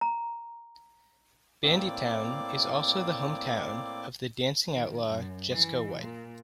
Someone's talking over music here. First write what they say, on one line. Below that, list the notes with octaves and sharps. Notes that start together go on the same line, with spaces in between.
Bandytown is also the hometown of the "Dancing Outlaw" Jesco White.
A#5
A2 A#3 C4 D5 D6
D#3
F#2
E3
A#2